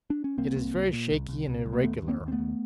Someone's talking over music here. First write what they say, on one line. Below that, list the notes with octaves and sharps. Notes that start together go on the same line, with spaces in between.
It is very shaky and irregular.
D4
C#4
C2 A#3 C4
C2
C2
A#2
C2
C2
C2
C2
A#3
D#2 A3 B3
D#2
A#3 C4
D#2
C4
A3 B3
D#2